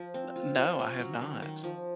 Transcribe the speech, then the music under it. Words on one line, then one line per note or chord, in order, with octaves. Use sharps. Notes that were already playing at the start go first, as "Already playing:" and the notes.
N no, I have not.
Already playing: F3
C4
F4
F4
C#4
F#3
D#3
D#3
F3